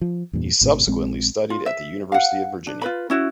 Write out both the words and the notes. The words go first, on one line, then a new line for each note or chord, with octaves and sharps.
He subsequently studied at the University of Virginia.
F3
E2 G2 A#2
G#1 A2 C3
A#1 G#3 C4
F4
E5
F5 F#5
D4
F4 B4 B5
C#4 E4 F#4